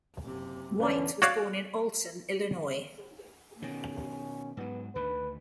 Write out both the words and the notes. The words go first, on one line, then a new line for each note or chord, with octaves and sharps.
White was born in Alton, Illinois.
F#1 C3
E2 D3 C#4 B4 D5
F#4 C#5 D5 F5
B2 D#3 C#4
G#2 F#3 B3
D2 D3 D#3 B4